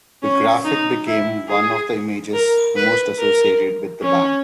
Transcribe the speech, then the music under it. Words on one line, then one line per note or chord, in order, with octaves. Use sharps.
The graphic became one of the images most associated with the band.
C#4
D#4
E4
G#4
A#4
B4
A#4
C#4